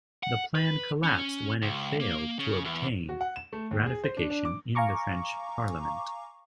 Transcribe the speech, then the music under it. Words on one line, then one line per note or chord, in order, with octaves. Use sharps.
The plan collapsed when it failed to obtain ratification in the French Parliament.
F#5
B4
C#4
C#2
A#3
C#3
E2
F#4
F#5
E7
A3
D#2
G#4
C5
D4
D4
D6
F5 G#5 A#5 C#6 D6